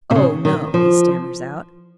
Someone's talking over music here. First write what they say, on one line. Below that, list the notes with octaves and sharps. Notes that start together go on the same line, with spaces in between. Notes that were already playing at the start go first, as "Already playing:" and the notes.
"Oh, no," he stammers out.
C3
C#3
D#3
F3